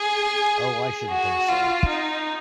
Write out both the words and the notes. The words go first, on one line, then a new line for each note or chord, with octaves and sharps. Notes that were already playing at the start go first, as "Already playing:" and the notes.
Oh, I shouldn't think so.
Already playing: G#4
F#4
F4
D#4